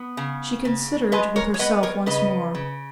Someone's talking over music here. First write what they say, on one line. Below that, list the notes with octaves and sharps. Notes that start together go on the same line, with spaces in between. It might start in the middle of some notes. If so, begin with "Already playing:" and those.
She considered with herself once more.
Already playing: B3
C#3
C#3
G#3 B4 D#5
A#4 C#5
C#5
B3 B4 D#5
A#4 C#5
C#3 B4 D#5
C#3